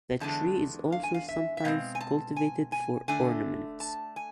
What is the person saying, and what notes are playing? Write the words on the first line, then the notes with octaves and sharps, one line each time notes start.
The tree is also sometimes cultivated for ornament.
E2 D3 G#3 D4 A5
F5
G#5
F5
E5
E5
B2 G#3 C4 F5
G#5
A5
G#5
G#5
D3 A3 D4 G#5
A5
G#5